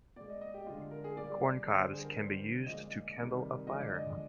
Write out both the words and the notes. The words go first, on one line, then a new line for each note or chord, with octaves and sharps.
Corn cobs can be used to kindle a fire.
A#2 G#3 D5
D#5
D#5
G4
D3 G#3 F4
A#4
G#4
A#2 G3 D5
D3 G3
C5
G#4
A#4
D3 G3 C5
A#2 F3 G#3 D#5
C3 D#3 G3
D3 F3 G#3 D#5
D5
D#5